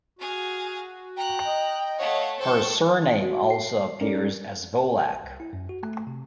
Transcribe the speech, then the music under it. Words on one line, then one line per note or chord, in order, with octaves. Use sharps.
Her surname also appears as Volach.
F#4 G#4 F5
G5 A#5 F#6
D#5
A3 C#5 F5 F#5
A2 A4 C5 G5 C6 C#6
F#4
C7
G#3 C#4 D#4 A4 A#4 D5
C2
E4
F#2
F#4
A3
C3